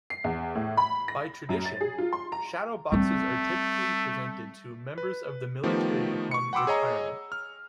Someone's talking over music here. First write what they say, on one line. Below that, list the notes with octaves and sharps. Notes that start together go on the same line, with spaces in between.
By tradition, shadow boxes are typically presented to members of the military upon retirement.
C7
E2
A2
B5
A#6
F#2
A6
G#4
F4
C6
A#5
G3 A3 C4
B4
D#3 F3 A3 B3 G4
C#6 C#7
F#5 G5 B5 C6 D6 E6
G#4 C#5 D#5 A#5
F6